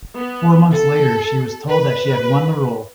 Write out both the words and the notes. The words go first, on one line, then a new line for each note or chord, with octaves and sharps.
Four months later, she was told that she had won the role.
B3
A4
B4